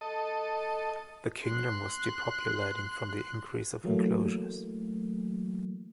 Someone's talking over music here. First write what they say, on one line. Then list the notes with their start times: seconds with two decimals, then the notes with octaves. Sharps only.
The kingdom was depopulating from the increase of enclosures.
0.01 A4 D#5
1.43 C6 F#6
3.84 E3 F#3 A3 A#3